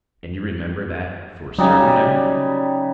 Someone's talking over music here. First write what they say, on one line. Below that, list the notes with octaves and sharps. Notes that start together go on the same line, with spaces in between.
"And you remember that for certain now?"
C#3 F#3 G3 D#4